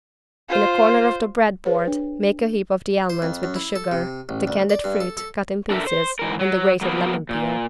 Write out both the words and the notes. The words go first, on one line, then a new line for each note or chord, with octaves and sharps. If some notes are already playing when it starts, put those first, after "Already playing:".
In a corner of the bread board make a heap of the almonds with the sugar, the candied fruit cut in pieces and the grated lemon peel.
F4 C5
G#4 B4 C#5
D4
C5
F2
F#2
E4
A4
C3
A1
D2
D5
G2
A4
A4
D4 A4 A#4 D#5 E5
C5
G#2 E3 A#4
F#3
F#3 A#3 B3
A#2